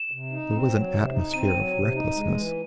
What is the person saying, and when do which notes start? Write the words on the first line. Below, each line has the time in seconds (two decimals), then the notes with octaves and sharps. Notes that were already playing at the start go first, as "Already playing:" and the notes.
There was an atmosphere of recklessness.
Already playing: E7
0.12 C3
0.32 D#4
0.52 C4
0.72 F#3
0.92 C3
1.13 D#4
1.33 C4 D#7
1.53 F#3
1.74 C3
1.94 D#4
2.15 G#3
2.35 E3